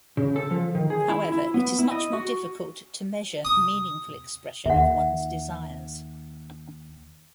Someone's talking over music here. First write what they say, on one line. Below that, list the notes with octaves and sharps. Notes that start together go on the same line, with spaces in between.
However, it is much more difficult to measure meaningful expression of one's desires.
C#3
A4
F3
D#3
G#4
E4
E4
B3
E4
D#5
F#4
D#6
D#2 E5 F#5